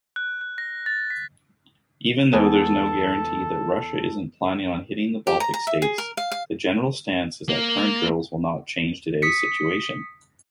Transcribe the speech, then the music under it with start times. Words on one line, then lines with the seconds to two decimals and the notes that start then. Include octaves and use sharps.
Even though there’s no guarantee that Russia isn’t planning on hitting the Baltic states, the general stance is that the current drills will not change today’s situation.
0.16 F#6
0.41 F#6
0.58 A#6
0.86 A6
1.10 B6
2.33 E2 B3 G#4 A4
5.27 G4
5.40 A#5
5.54 A#5
5.67 E5
5.82 G#4
5.98 A#4
6.17 F5
6.32 F5
7.49 A#3
9.22 D#6 B6 C#7